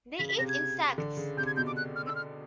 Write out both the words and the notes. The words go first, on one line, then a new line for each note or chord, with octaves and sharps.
They eat insects.
C#3 B6
B6
C3 A#6
G#6
D3
C#3
C3 G6
G#6
B2 G6
D6
F#6
F6
E6
F6